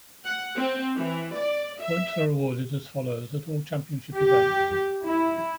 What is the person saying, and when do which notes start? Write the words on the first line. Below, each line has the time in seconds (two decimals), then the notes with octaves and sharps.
Points are awarded as follows at all championship events.
0.25 F#5
0.56 C4
0.96 E3
1.35 D5
1.80 E5
4.16 G4
5.05 E4